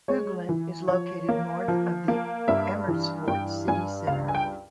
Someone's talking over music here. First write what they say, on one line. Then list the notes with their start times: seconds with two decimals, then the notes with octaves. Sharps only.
Hoogland is located north of the Amersfoort city centre.
0.08 G#3 C#5
0.49 E3
0.88 F3 C#5
1.29 A#3
1.68 F3
2.08 A#3
2.48 G2 E5
2.88 E3
3.28 G2 G5
3.68 G2 G#5
4.07 C#2 F5
4.28 G#5
4.35 G5